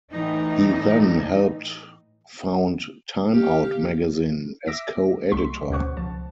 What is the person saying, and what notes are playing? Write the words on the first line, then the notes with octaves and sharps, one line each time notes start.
He then helped found "Time Out" magazine, as co-editor.
A2 E3 D#4
G4 F5
E5 D6 E6 A#6 B6 D7
C2 F#3 A3 C6 C#6 B6
D2 B2 C#4 C5 F#5 C#6
C#2 F3 A5